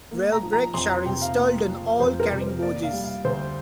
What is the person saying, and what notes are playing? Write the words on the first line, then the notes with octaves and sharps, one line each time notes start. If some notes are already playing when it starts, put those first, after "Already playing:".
Rail brakes are installed on all carrying bogies.
A#3
A#5
F3
A#5
F2 C6
A#5
C3 G5
F5
A#3
F3
F2 C5
A#4
C3
C5
A#3 D5
F5
G3
F5
D2 C5